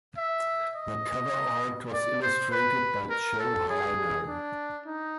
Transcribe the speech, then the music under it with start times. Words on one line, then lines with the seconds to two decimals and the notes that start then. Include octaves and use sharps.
The cover art was illustrated by Joe Heiner.
0.17 E5
0.75 D#5
1.93 D5
2.22 C5
2.51 B4
3.10 A#4
3.39 A4
3.68 G#4
4.27 D4
4.86 D#4